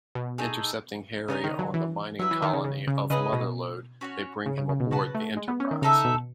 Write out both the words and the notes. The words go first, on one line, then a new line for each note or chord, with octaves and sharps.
Intercepting Harry on the mining colony of Motherlode, they bring him aboard the "Enterprise".
B2
A3 D#4 G#4
C#3 B3 D#4 A4 D#5
D#3
F#3
E3
F#3 E4 B4 E5
E3
D#3
C#3
C#3
C#3
C#3 D#4 G#4 B4 D#5
B2
C#4 F#4 C#5
C#3
C#3
C#3
B2
C#3 F#4 B4 F#5 A5
A3
G#3
B3
C#4
D#3
C#3 D#4 A4 E5
B2